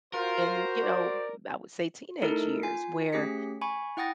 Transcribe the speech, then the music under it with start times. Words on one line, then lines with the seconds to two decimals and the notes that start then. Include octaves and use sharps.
in you know, I would say teenage years where
0.13 F4 F#4 A#4 C5
0.83 D5
2.22 A3 D#4 E4 A4 A#4
2.63 F4 G#5 C7
3.12 A3 C#4 G4 G#4 B6 C#7
3.62 G#5 B5 C#6
3.97 E4 F#5 G5 D#6 A6 A#6